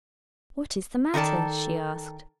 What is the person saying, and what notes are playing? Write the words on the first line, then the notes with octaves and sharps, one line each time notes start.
"What is the matter?" she asked.
D#3 D#4 A4 D5 A5